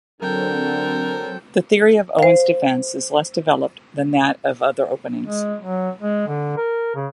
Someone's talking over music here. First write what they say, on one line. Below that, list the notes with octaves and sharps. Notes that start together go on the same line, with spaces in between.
The theory of Owen's Defence is less developed than that of other openings.
D3 F#3 C4 A4 A#4 G5
C5 F5
G#3
F#3
G#3
D3
A#4
C#3